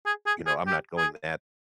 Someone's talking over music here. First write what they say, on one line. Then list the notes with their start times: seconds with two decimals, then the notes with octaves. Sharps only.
you know I'm not going that
0.06 G#4
0.26 G#4
0.46 G#4
0.67 G4
0.97 G#4